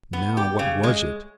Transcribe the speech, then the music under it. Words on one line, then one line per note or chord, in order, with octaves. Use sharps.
"Now, what was it?"
B3
G4
C#3
G#3